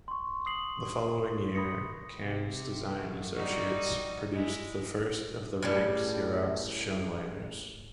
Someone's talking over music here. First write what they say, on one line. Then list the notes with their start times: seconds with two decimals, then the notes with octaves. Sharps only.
The following year Cairnes Design Associates produced the first of the Rank Xerox Showliners.
0.08 C6 C#6
0.46 D#6 C7 F#7
1.55 B5 D#6 A#6 C#7
2.18 C3
2.96 F#2
3.35 G3 D#4 F#4
4.34 G#3 E4
5.63 A2 C#3 G3